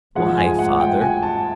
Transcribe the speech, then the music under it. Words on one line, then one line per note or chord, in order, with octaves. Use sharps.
"Why, father?"
G#2 F3 G#3 F#5
G#5
F#5
G5
G#5
A5